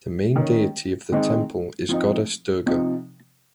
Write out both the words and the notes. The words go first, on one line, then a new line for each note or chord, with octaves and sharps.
The main deity of the temple is Goddess Durga.
D#3 A#3 C#4
D#3 G#3 C4 D#4
F3 C4 D#4
C3 F3 C4 D#4